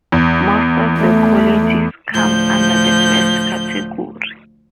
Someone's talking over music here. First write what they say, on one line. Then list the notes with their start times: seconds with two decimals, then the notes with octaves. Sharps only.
Most of the colleges come under the first category.
0.12 E2
0.99 A3
2.11 D2 A2 F3 G6